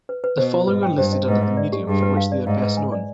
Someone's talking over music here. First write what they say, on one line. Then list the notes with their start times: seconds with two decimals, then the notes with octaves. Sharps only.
The following are listed under the medium for which they are best known.
0.09 B4
0.24 B4
0.38 B2 C5
0.54 F4
0.68 G#2 B4
0.83 G5
0.98 G2 C5
1.12 D#5
1.28 G#2 B4
1.43 D#5
1.57 D5
1.73 G4
1.87 G2 G#4
2.02 B4
2.17 F5
2.32 D5
2.47 G#2 F5
2.62 B4
2.77 G#5
2.92 D5